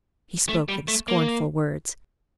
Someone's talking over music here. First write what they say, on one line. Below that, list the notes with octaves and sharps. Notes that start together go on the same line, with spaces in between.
He spoke in scornful words.
A3
G3
A3
A#3